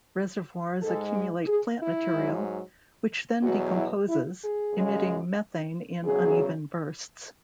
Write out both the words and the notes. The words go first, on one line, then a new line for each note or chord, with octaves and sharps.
Reservoirs accumulate plant material, which then decomposes, emitting methane in uneven bursts.
G#2 G#3 A4
G#4
E4
G#2 F#3
E2 B2 F#3 F#4
E4
E4
G#4
F#2 C#3 G#3
E2 C#3 F#3 G#4